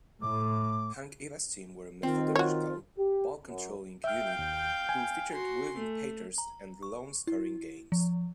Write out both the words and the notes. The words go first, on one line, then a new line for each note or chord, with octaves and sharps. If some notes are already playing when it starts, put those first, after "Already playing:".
Hank Iba's teams were methodical, ball-controlling units who featured weaving patterns and low-scoring games.
A2 D6
D#3 C4 F4
F4 F#4 C#5
G4
F#2
E5 F5 G5 F6 G6
D#2
G#5
F#4 C6
A3
A#5
C#6
E4
F3